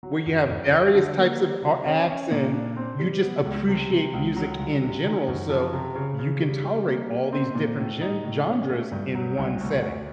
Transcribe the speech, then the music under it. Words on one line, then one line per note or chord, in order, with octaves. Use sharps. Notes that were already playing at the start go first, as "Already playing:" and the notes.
where you have various types of, uh, acts, and you just appreciate music in general, so you can tolerate all these different gen genres in one setting,
F#3
F#2
F2
F2
D3
A#3
G3
C3
C#4
C#4
A#2
D4
C4
G3
B3
C#2
C3
C3
C#2
F#3
C2
C3
D#3
F#2
F3
C3
C#3
C#3
G3
G3
A#3
A#3
C4
A#2
A2
D#4
A2
C#4
A3
G2
F#3
C2
D2
D2